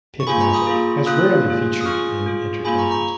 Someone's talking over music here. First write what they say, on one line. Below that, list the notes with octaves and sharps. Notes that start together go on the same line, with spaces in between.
Pitmatic has rarely featured in entertainment.
C#6
A#3 F4 G#4 G#5 B5
A#5 C#6
B5 D#6
A#3 F4 G#4
A#3 F4 G#4 D#6 F#6
A#3 F4 G#4
D#6
C#4 F4 G#4 C#6 F6
C#4 F4 G#4
A#3 F4 G#4 G#5 B5
A#5 C#6
A#5 C#6